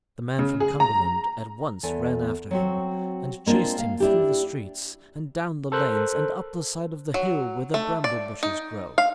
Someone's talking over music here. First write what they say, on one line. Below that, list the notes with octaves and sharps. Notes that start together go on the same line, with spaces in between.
The man from Cumberland at once ran after him, and chased him through the streets and down the lanes and up the side of the hill where the bramble-bushes grow.
C#3
G#4
A#5
E2 A4 G#5
F#3 C4 F#4
G#3 A#3 C4 D4 F4
F5
D4 E4 G4
A4 A#4 C5 F#6
F#3
A3
D5
D#4
F5